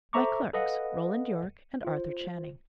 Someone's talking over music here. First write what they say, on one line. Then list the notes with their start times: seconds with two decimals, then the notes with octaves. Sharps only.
"My clerks--Roland Yorke and Arthur Channing."
0.13 A4 C5 E5 A#5 C#6 D6
0.53 A4 B4 D#5 F5 F#5
1.85 F4 C5